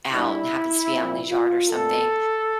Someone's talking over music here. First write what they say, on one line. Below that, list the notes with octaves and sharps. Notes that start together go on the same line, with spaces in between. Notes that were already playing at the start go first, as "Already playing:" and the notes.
out and happens to be out in his yard or something.
A#2 G3 D4 E4
A#2 F3 C4
F4
A#2 A3 C4 A4